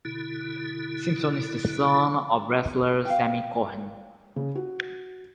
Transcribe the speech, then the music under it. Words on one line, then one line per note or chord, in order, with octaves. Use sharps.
Simpson is the son of wrestler Sammy Cohen.
B2 D3 E4
F5 G5
C#3
F#4